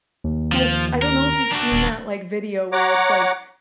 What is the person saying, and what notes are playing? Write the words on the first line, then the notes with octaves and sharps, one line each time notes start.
my s I don't know if you've seen that, like, video where it's like,
D#2
F3
A#4
D4 F#4
D#1
C#5 F#5 A#5 D6